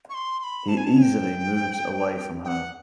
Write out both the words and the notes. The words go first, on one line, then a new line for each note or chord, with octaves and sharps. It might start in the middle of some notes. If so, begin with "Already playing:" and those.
He easily moves away from her.
C#6
C6
C6
B5
A5
G#5
A5
G#5
G5
G5
F#5